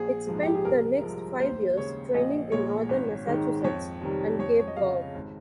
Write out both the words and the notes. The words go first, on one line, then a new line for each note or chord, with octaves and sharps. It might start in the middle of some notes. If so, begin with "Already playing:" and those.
It spent the next five years training in northern Massachusetts and Cape Cod.
Already playing: A#1 G#4
G#2 F3 G#3
G4
G#4
C2 A#4
C3 F3 G#3
D#2 C5
C#3 G#3 C#5
A#1 D#5
A#2 G#3 C#5
G#1
G#2 D#3 G#3
F2 C#5
C3 D#3 G3
F2 C#5
C#5
D#5
C#3 G#3 F5
G#1